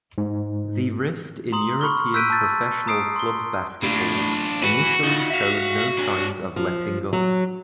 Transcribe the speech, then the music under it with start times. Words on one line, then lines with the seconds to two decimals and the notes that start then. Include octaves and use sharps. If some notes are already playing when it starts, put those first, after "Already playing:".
The rift in European professional club basketball initially showed no signs of letting up.
0.18 G#2
1.52 A#5 C6 D#6 F#7
1.81 B5 C#6 F6 G7
2.14 E6 F#6 G6 B6 D7 D#7
2.30 A5 E6 G6 A6
2.87 A#5 D#6 C7 D7
3.16 C6 G7
3.84 A2 D4 F4
4.63 E4 F#4 B4
5.04 D#4 F4
5.30 E5 F5
5.99 D4 C#5
6.56 F3
7.13 F#3